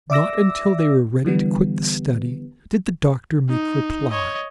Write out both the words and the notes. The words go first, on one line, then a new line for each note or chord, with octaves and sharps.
Not until they were ready to quit the study did the doctor make reply.
D5 E5 D6 E6 A#6
D3 E3 G3 B3
D#4
C#5 D#5